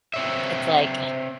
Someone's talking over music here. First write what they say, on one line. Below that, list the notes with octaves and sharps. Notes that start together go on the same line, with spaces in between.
it's like
C4 C#5 E5